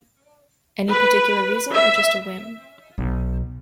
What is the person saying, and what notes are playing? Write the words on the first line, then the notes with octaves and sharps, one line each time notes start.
Any particular reason, or just a whim?
B4
E5
B1